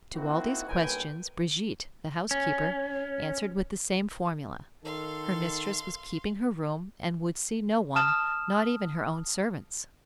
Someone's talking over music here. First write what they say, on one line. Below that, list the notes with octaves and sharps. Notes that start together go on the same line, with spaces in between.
To all these questions, Brigitte, the housekeeper, answered with the same formula: her mistress was keeping her room, and would see no one, not even her own servants.
A#3 C4 D#4 E4 F#4
B1 G2 A#2 B4 G5 G#5
C#4
D#3 A4 F5 C6
A5 D#6 F6 E7